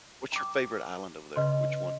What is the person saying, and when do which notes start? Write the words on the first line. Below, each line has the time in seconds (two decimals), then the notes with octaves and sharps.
What's your favorite island over there? Which one?
0.32 G5 A#5 D6
1.36 C#3 B4 D#5 C6